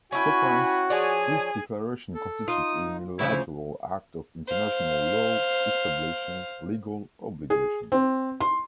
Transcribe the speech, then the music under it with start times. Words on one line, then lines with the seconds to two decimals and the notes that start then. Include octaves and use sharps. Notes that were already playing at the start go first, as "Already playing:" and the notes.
For France, this declaration constitutes a unilateral act of international law establishing legal obligations.
0.12 C#4 E4 F#4 G5 G#5 B5
0.90 F3 G#4 C#5 D5 G#5
2.15 A4
2.48 D#4 F4 D#6
3.19 D2 A#2 C#3 F3 E4 B5
4.47 C5 F5
7.50 G#4
7.92 C4
8.41 C6